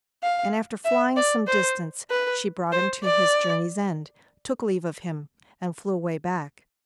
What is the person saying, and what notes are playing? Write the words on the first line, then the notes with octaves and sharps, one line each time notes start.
And after flying some distance she brought him to his journey's end, took leave of him, and flew away back.
F5
E5
D5
C5
B4
C5
D5